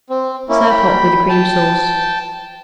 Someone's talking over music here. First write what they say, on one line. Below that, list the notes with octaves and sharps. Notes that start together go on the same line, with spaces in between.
Serve hot with a cream sauce.
C4
A#3 C#4 E4
G5 B5
G5 A5